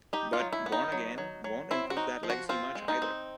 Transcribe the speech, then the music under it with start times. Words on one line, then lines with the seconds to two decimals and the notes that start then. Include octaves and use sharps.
But "Born Again" won't improve that legacy much, either.
0.13 D#4 G4
0.33 F4
0.39 F#3
0.53 E4
0.66 B3
0.72 D#4
0.92 F#3
1.18 F#3
1.44 F#3
1.71 C4 E4
1.90 F#4
1.97 D#4
2.23 F3
2.30 F#4
2.49 C4 F4
2.75 G#3
2.88 D#4
3.02 C4